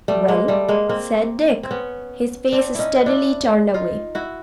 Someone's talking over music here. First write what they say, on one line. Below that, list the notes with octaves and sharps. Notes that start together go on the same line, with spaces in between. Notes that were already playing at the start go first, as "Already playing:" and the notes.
'Well?' said Dick, his face steadily turned away.
G3 A3
G#3 A#3
G3 A3
G#3 A#3
A#3 C4
C4
B3 C#4
C4 D4
C#4 D#4 E4
D4 E4
D#4 F4
E4 F#4